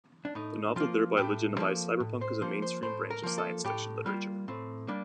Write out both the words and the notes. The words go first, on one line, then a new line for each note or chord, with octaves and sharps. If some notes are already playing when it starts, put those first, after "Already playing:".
The novel thereby legitimized cyberpunk as a mainstream branch of science fiction literature.
D4
A2 D#4
F3 A#3 F4
A2 G4
F3 A#3 A4
A2
C5
F3 A#3 C5
C5
A2 C5
A#4
F3 A#3
A4
A2 G4
G3 A#3 F4
A2 C4
G3 A#3 D4